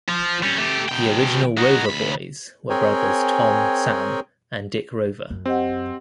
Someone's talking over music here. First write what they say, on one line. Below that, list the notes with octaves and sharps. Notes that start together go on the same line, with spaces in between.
The original Rover Boys were brothers Tom, Sam, and Dick Rover.
F3
G3 C#4
A3 G4
B2 G5
D#4 F#4
D2 B5
C4 G#4 A#4 C#5 G5 G#5
F#2
C4 G4 D#5 F#5